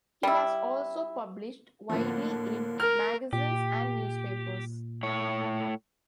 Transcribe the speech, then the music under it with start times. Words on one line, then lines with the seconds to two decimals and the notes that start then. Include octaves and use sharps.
He has also published widely in magazines and newspapers.
0.23 G3 E4
1.90 A2 D3 F3 A#3 A#4
2.80 A#4 F6
3.33 A#2 G4
5.03 A2 C#5